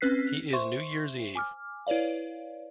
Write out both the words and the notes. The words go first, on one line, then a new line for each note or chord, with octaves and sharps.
He is New Year's Eve.
C4 C#4 B4 F#6 B6 C7
C5 E5 C6 C#6
G#5 D6 F6
E4 B4 C#5 D5 F5